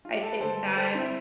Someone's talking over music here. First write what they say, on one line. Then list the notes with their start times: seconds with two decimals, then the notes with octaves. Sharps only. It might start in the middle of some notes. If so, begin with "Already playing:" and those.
I think that
0.05 F4
0.14 G4
0.22 A4
0.31 B4
0.40 G2 D3 A4 C5
0.66 B4
0.76 A4 C5
0.94 C4 E4